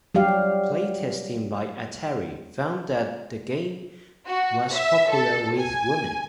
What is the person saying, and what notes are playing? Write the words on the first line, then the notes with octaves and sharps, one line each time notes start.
Playtesting by Atari found that the game was popular with women.
F#3 G3 G4 F5
F#4
E5
A4
G#5